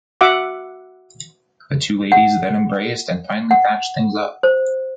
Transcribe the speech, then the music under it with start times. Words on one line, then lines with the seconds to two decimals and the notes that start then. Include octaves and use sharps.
The two ladies then embraced and finally patched things up.
0.21 F#4 E5 F#5 D6
2.12 F#5
3.51 F#5
4.43 C5